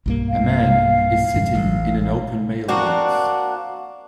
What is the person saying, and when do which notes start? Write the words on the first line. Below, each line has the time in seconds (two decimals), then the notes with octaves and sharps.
A man is sitting in an open mailbox.
0.06 B1 G2 A#3
0.28 F5
1.34 F2 G#2
1.55 A1
2.68 A#3 C4 D4 F#4